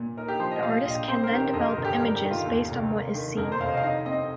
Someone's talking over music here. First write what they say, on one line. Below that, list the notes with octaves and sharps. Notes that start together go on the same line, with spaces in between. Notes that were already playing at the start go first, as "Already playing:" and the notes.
The artist can then develop images based on what is seen.
Already playing: A#2
D#4 A#4
G4
F3 C5
D#5
A#2 F5
A#1 D#5
C4 C5
A#4
D#3 G4
A#4
F2 D#5
A#4
G1
G4
G3 A#4
G4
D#3
F4
D#2
F1
A#3
D#3
F2 A#4
C5
F1 F5
D#5
F5
D#4 D#5
C4 D#5